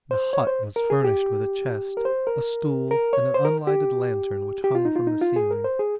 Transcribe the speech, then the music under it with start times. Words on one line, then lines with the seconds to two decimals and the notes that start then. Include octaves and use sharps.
The hut was furnished with a chest, a stool, and an unlighted lantern which hung from the ceiling.
0.11 C5
0.33 C#5
0.47 C5
0.76 A#4
0.90 G#4
1.05 G4
1.97 A#4
2.05 C5
2.27 A#4
2.91 A#4
3.13 C#5
3.34 C5
3.45 A#4
3.67 G4
4.64 G4
4.75 F4
4.85 D#4
4.96 F4
5.07 D#4
5.21 F4
5.36 G#4
5.51 A#4
5.64 C5
5.79 G#4